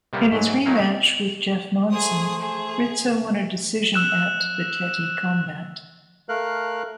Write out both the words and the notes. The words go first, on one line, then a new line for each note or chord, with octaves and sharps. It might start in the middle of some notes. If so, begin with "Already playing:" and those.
In his rematch with Jeff Monson, Rizzo won a decision at Bitetti Combat.
C3 G3 A#3 B3
G#2 F#3
F#3 A3 D#4 E4 F5
A3 G#4 C5 D#6
G#4
E6 F#6 E7
A3 A#4 F5 F#6